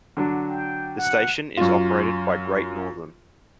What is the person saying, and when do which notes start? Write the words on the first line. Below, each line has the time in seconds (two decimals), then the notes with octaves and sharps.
The station is operated by Great Northern.
0.17 D3 F#3 D4
0.49 G5
0.98 F#5
1.57 F#2 F4